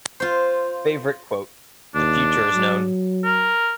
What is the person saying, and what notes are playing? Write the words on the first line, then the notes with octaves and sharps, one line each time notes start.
Favorite quote: The future is known.
F4 C5
D#2 D4
F#3
A#4